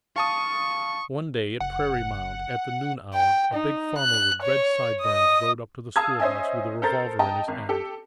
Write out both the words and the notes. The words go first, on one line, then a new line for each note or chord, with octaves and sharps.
One day, at Prairie Mound, at the noon hour a big farmer with red sideburns rode up to the schoolhouse with a revolver in his hand.
F5 A5 C#6 D#6
F#1 F#5
G5
D#4
F#6
C#5
D#5 D#6
F5 A5 D#6 E6 G#6
C#4 C5 D#5 E5 G#5
A4 A#4 C5 A#5 G6 A6
D#5 G5 A5 A#5
G#1
G4 A4